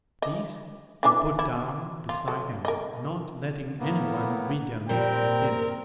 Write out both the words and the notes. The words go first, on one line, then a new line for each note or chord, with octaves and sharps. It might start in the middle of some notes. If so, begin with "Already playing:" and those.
These he put down beside him--not letting anyone read them at dinner.
D#5
E3 D4 E5
E4
F4
F#3 A4
A#4 D#5
A2 A#3 B3
A#2 G3 C4 A#4 G5